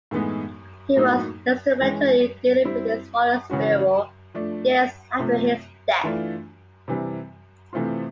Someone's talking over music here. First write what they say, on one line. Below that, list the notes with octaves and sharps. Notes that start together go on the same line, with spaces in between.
He was instrumental in dealing with his father's burial, years after his death.
A2 E3 G#3 B3 D#4
A2 F#3 A#3 D#4
E3 G#3 C#4
G3 C4 E4
C#3 E3 G#3 C#4 F#4
F3 A3 D4
C3 F3 A3
E3 A3 D4 F4
C3 E3 G3
C3 E3 A3 C4 F4